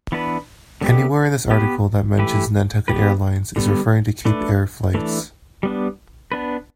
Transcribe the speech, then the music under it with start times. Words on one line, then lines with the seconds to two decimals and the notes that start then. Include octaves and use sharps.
Anywhere in this article that mentions Nantucket Airlines is referring to Cape Air flights.
0.12 E3 B3 D4 B4
0.81 D3 B3 G4
1.50 B3 G4 B4
2.19 E3 A3 G4 B4
2.88 B3 G4 B4
3.56 D3 G3 B3
4.25 A3 D4 B4
4.94 E3 A3 D4
5.63 G3 B3 D4
6.32 B3 D4 B4